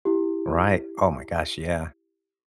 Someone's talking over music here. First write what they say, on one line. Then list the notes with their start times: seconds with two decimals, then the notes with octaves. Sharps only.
Right, oh my gosh, yeah.
0.05 E4 G4